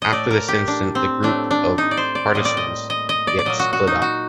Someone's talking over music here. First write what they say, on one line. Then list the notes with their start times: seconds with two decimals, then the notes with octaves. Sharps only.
After this incident, the group of partisans gets split up.
0.02 D#5
0.12 A2 A3 D5
0.31 A#4
0.48 G4
0.68 D4
0.95 C4
1.23 A2 A3 D4
1.51 D4
1.78 D#4
1.91 D5
1.97 C5
2.15 D5
2.34 A2 G3 A#3 D#5
2.45 D5
2.57 D#5
2.90 D#5
3.09 D#5
3.27 D5
3.39 D5
3.45 A#2 F#3 A#3 D#5
3.59 F#4
3.73 F#4
3.87 D#4
4.02 F#4